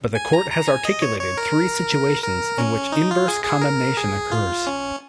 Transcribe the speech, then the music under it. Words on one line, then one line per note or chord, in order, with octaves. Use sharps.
But the court has articulated three situations in which inverse condemnation occurs.
G#5
A#5
A#5
G#5
D#5
C#5
C#5
A#4
A#4
C#4
D#4
F4
G#4
G#4
A#4
G#4
F4
C#4